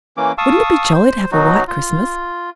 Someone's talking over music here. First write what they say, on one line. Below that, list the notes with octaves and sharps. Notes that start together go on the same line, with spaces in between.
Wouldn't it be jolly to have a white Christmas?
E3 A#3 C#4 D6
F5 A5 C#6 D#6 E6
C5
B2 F#3 D#4 F#4
F4